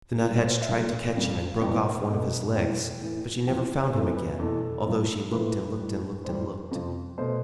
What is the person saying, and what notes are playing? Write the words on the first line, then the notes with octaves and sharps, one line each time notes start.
The Nuthatch tried to catch him and broke off one of his legs, but she never found him again, although she looked and looked and looked and looked.
A2 G3
B4
C5
D5
E5
G2 F3 A3 F5
F2 D3 G3
E2 B2 G3 G5
B2 A3
E2 B2 G3 G5
A2 E3 A3
E2 C3 F3 G5
F2 E3 A3 C5
B4
E2 B2 A3 A4
G2 F3 A3
A2 F3 A3 B4
A2 G3
A2 G3 C5
F2 C3 F3
B2 A3 C5